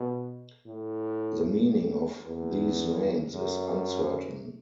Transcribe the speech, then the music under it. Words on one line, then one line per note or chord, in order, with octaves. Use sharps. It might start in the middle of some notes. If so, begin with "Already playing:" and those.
The meaning of these names is uncertain.
Already playing: B2
A2
E2
F#2